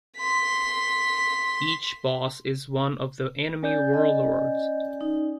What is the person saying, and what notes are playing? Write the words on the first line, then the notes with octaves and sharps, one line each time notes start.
Each boss is one of the enemy warlords.
C6 B6
C#4 D5 G6
D#5
D#4